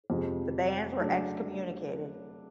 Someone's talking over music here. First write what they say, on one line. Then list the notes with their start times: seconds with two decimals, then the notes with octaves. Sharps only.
The bands were excommunicated.
0.10 F2 C3 F3 G#3
0.98 C#3 F#3 A3 D4